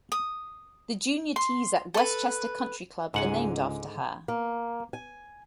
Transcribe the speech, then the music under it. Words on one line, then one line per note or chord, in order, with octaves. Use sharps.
The junior tees at Westchester Country Club are named after her.
D#6
C6
A4 B4
C#2 G#2 D3 G#3 F#5 G#5
A#3
G#5